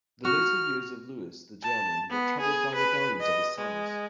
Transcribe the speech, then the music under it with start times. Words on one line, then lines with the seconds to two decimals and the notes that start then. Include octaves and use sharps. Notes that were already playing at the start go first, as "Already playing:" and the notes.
The later years of Louis the German were troubled by rebellions of his sons.
0.25 F#4 F6
1.63 A5
2.09 B3
2.40 G#4
2.75 B4
3.20 D#5
3.58 G#3